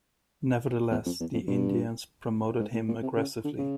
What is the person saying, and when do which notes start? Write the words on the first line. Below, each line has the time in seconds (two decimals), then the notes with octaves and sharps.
Nevertheless, the Indians promoted him aggressively.
0.91 E2
1.05 F2
1.20 E2
1.33 F2
1.48 G2
2.60 G#2
2.74 A2
2.88 A#2
3.02 C3
3.16 C#3
3.44 D3
3.58 C#3